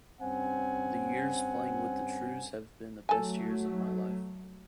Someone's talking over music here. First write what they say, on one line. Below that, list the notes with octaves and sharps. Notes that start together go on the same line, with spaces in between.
The years playing with the Trews have been best years of my life.
G2 C4 C#4 F#5 G#5
F#3 A3 A4 G#5